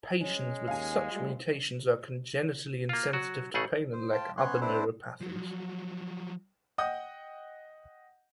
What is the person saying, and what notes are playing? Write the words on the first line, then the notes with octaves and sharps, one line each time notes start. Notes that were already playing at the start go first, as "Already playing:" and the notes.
Patients with such mutations are congenitally insensitive to pain and lack other neuropathies.
G#3 C#4
D#2 F5 G#5
G3 A3 F4
A#3 F4
F#3 F#4
A1 C#3 A3 G#4 F#5
C5
F5 G5 A5 C6
B3 C#4 C#5 C6 F#6
C4 D4 E4 A4 B4 C5
F3 F#3
D#5 F#5 G5 D#6 G6